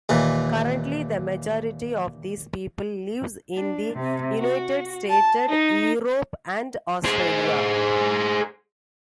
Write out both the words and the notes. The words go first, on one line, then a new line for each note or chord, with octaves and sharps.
Currently, the majority of these people lives in the United Stated, Europe, and Australia.
D#2 A#2 E3
D4
C3
F#4
A5
D#4
G#4 C5